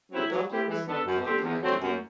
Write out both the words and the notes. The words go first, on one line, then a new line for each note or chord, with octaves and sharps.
The top layer is now called the ectoderm.
F#3 C4 E4
F#3
C4 E4 G4 C5
E3
B3 D4 A4
F#2
D3 G3 C4 G4
E2
D3 F#3 A3 C4
F#2